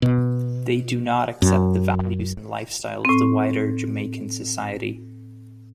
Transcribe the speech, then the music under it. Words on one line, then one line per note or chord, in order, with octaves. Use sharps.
They do not accept the values and lifestyle of the wider Jamaican society.
B2
F#2
A2 C4